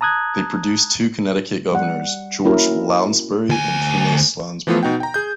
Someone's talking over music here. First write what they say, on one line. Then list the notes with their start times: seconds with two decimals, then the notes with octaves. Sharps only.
They produced two Connecticut governors, George Lounsbury and Phineas Lounsbury.
0.01 A5 A#5 D#6 F#6 G#6
1.72 G3 F#5
2.44 A#3 C#4 E4 F#4 A#4
3.49 D2 G#5
4.67 E3 F3 A3 B3 F4
4.83 B2 D#4 F#5 G5
5.00 G5 A#5
5.14 G#4 G6